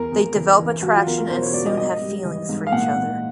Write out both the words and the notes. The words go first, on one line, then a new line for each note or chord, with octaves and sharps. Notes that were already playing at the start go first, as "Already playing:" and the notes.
They develop attraction and soon have feelings for each other.
Already playing: E2 A#4
E2
E3
E3
F#3 F#4
F4
E2 A#4
A#4
B2 C5
C#5
F#3 D5
D#5
G#2 D#5
G3
E3
G#2
F5
A#2 F#5
A#2